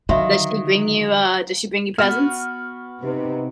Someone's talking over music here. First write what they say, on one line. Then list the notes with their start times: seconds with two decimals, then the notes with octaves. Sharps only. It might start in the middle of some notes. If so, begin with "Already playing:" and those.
Does she bring you, uh, does she bring you presents?
0.09 D3 D#3 F#3 F#4 E5 F5
1.98 B3 F#4 F6
3.04 C3 D#4 B4